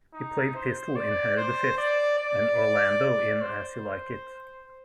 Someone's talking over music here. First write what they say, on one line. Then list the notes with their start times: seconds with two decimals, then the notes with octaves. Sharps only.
He played Pistol in "Henry the Fifth", and Orlando in "As You Like It".
0.14 D#4
0.55 C5
0.96 D5
1.37 C5
1.78 D5
2.18 D5
3.41 C5